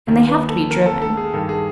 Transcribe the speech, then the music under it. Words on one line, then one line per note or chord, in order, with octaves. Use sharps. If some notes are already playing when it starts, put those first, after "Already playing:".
And they have to be driven.
D#2 D#3 A#4
B4
A4
A#4
A4
A4
G#4
G2 D#3 A4
G#4